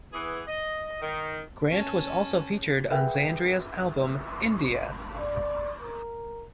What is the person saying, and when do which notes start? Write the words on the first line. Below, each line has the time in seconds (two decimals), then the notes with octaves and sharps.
Grant was also featured on Xandria's album "India".
0.13 E3 B3 G#4
0.47 D#5
1.01 D#3
1.70 C#4 A5
2.90 G#4 B4 E5 F#5 G5
5.19 D5
5.82 A#4